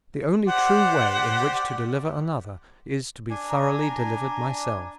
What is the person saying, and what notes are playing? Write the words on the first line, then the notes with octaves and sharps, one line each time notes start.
The only true way in which to deliver another is to be thoroughly delivered myself.
G4 C5 D5 F#5
D4 G#5
A#5